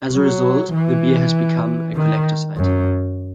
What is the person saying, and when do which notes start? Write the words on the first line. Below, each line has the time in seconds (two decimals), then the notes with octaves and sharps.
As a result, the beer has become a collector's item.
0.12 F#3
0.73 E3
1.95 D#3
2.57 F#2